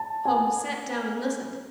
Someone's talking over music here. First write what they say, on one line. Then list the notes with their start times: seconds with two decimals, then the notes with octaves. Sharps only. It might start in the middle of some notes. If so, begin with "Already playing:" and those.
Holmes sat down and listened.
Already playing: A5
0.25 G#5